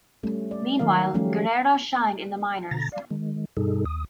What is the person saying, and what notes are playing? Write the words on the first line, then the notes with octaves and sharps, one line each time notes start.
Meanwhile, Guerrero shined in the minors.
G3 A3 C#4
D5
D#3 F#3 A#4 F5
F3 G3 A3 C#4 G4
B2 D3 A#5 A6 A#6
D5 F5
D#3 G#3
G2 B2 G3 D#4 G#4 A4
D#2 D#6